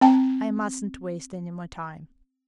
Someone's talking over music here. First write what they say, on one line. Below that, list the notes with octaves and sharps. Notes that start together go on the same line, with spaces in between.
I mustn't waste any more time.
C4 G5 A5